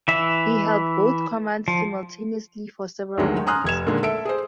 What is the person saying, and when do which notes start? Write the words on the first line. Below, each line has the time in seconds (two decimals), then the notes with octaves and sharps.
He held both commands simultaneously for several months.
0.08 E3 E5
1.68 F3
3.17 D2 G2 D3 D#3 F#3 G#3
3.47 G#5 A#5 C6 D#6 F6 F#6
3.64 F1 G#6 E7
3.87 A#2 D3 D#3 G#3
4.03 A4 E5 D7
4.25 G#4 C5